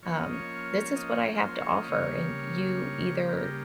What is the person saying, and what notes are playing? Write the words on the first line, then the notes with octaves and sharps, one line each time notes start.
um, "This is what I have to offer, and you either,
F3 A#3 C#4 C#5
D#5
C#5
D#5
C#5
C5
C5
C#5
D#5
C#3 G3 A#3 C#5
A#4
G4